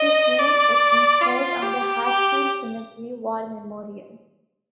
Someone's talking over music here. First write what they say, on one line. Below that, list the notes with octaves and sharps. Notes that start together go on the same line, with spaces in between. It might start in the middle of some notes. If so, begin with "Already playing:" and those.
His name is inscribed on the Hatfield Cemetery War Memorial.
Already playing: D#5
D5
F4
G4
G4